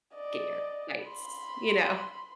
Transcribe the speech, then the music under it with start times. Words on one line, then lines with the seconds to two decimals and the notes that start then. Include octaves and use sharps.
gator bites, you know?
0.15 D5 D#5
1.05 B5 C6